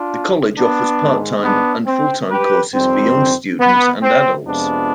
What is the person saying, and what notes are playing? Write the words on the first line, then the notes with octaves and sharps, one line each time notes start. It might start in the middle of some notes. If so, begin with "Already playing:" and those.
The college offers part-time and full-time courses for young students and adults.
Already playing: D4 F4
B3 D4
G#2 D#3 G#3
B3 D4
C4
G4 B4
F2 D#3 G3 C4
B3
C4
F2 C3 F3 G#3 B3 D4